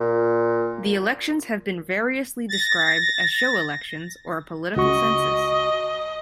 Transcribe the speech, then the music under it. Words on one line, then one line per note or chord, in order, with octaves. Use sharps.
The elections have been variously described as show elections or a political census.
A#2
A6 A#6
C#2 F#4 D#5 C#6